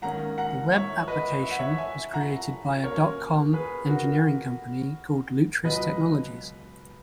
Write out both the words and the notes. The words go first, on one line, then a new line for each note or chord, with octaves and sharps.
The web application was created by a dot com engineering company called Lutris Technologies.
G#2 D#3 A#3 C#4 F#5 A#5
F#5 A#5
C#5 E5
B4 D#5
E5
F#5
C#5 E5
E5 G#5
F#5 A#5
B2 A#3 C#4 A#4 C#5
G#4 B4
F#4 A#4
C#2 B2 F#3 B4 D#5